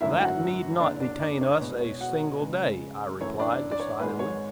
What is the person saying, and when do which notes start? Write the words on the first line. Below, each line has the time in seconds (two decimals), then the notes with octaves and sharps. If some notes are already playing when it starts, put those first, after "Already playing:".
"That need not detain us a single day," I replied, decidedly.
0.01 G#1 F#2 D3 F#3 A3 E4 E5
0.21 F#4 F#5
0.80 F#1 E2 D3 D4 D5
1.00 D4 D5
1.20 D4 D5
1.41 C#5
1.60 E2 B2 G#3 B4
1.81 C#5
2.00 F#4 F#5
2.41 C#2 C#3 G#3
3.20 F#2 E3 A3 C#5
3.39 D4 D5
3.71 D5
3.80 C#5
4.00 G#1 G#2 G#3 B4
4.19 C#5